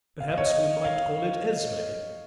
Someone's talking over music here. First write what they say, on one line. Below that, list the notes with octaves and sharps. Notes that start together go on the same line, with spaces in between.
Perhaps we might call it Esme.
F5
D#5
C#5
D#5
F5